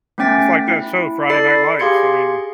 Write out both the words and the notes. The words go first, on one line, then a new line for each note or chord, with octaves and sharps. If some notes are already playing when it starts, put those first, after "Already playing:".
It's like that show, Friday Night Lights, I mean,
A3 B3 C#4 G5 A6 B6
E4
A4 D5 B5 A6 C7
G4 G#4 F5 C6 G#6 C#7